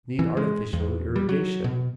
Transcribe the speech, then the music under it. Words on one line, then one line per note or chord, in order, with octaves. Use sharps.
Need artificial irrigation.
E3
G#3
E2
G3
F#3
B2